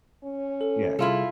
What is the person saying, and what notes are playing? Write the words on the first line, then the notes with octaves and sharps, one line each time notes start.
Yeah, yeah.
C#4
A4
C3 G3 E4 F4 G#4 A4